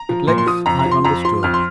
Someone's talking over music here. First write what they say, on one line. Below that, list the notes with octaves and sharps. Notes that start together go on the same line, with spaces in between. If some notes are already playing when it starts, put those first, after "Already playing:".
At length I understood.
Already playing: A#5
F3
A#2 C6
C6
F3 D#6
F2 A#5
A#5
F3
C6
F2 A#5
F3 C6
F2 F6
C6